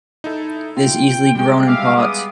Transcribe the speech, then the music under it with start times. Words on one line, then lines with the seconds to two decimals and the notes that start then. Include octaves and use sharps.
It is easily grown in pots.
0.24 D#4 E4 A4
0.77 F4 G5
1.35 G3 G#3
1.67 E5 F5 D6
1.99 B3 D#6